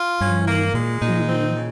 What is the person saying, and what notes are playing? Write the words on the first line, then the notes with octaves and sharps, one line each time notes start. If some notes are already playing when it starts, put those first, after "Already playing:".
Mhm, mhm.
Already playing: F4
G2 C#4
A#3
A#2 G#3
A#2 D#4
C4
C#3